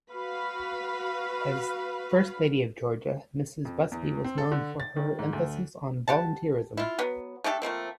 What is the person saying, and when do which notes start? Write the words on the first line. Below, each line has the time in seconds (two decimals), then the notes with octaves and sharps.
As First Lady of Georgia, Mrs. Busbee was known for her emphasis on volunteerism.
0.10 F#4 B4 F5 B5
3.65 F2
3.92 E2
4.24 C4
4.38 A4
4.52 D3
4.80 A6
4.96 D#3
5.19 G#2
5.33 D2
6.08 G4 F#5 A5
6.77 E4 F4
6.98 F#3 B3
7.44 A3 D4 G4 A4
7.62 F3 A3 A#3 C4